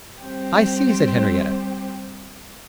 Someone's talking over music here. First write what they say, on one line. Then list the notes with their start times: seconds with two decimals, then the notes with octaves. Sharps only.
"I see," said Henriette.
0.22 G3 C4 G4